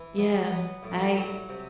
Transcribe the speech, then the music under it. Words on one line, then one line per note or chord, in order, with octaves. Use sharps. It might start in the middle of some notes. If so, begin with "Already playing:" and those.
Yeah, I
Already playing: E3
F#3 B3
B3
A2 G3
F#3
C3